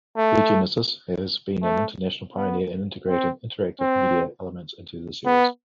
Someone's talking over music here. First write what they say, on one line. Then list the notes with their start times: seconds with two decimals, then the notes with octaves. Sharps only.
"ReGenesis" has been an international pioneer in integrating interactive media elements into the series.
0.17 A3
1.63 A3
2.35 B3
3.08 C4
3.80 C4
5.25 B3